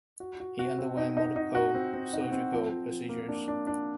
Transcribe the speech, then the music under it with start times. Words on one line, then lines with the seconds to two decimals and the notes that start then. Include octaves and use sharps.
He underwent multiple surgical procedures.
0.20 F#4
0.40 F#4
0.59 F#4
0.78 C4
0.97 D#4
1.17 D#4
1.36 D#4
1.55 F#4
1.74 C4
1.94 C4
2.13 D#4
2.32 C4
2.52 F3
2.71 F3
2.90 F3
3.09 A#3
3.28 D4
3.48 D4
3.67 D4